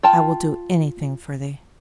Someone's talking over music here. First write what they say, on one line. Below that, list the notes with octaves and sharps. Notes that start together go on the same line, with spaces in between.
I will do anything for thee.'
F4 G5 A5